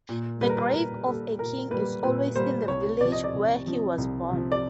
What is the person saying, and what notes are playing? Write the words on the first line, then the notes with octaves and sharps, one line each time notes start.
The grave of a king is always in the village where he was born.
A#2
G3 A#3 B4
A#4
B4
A#2 A#4
G3 A#3 A4
A#2 A#4
G3 A#3 B4
A#2 B4
G3 A#3 C5
C2 C#5
C3 F3 D5
D#5
D5
C2
C3 F3
C2
C3 F3
D5